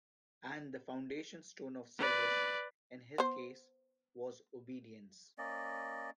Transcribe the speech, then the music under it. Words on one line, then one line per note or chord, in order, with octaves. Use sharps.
And the foundation stone of service, in his case, was obedience.
B4 D5
B3 C5
A#3 C#4 D5 D#5